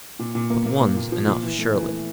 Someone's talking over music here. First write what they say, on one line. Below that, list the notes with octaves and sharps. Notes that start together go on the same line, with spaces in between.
But one's enough, surely.
A#2
A#2
A#3
A#3
A#3
A#2
F3
A#2
E3
A3
E3
A3